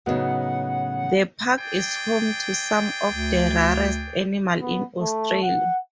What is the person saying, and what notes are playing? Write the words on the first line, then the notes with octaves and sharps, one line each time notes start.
The park is home to some of the rarest animals in Australia.
A2 C#3 F#3 B3 D#4 F#5
G#4 D5 G5
D2
B3
A3
F#5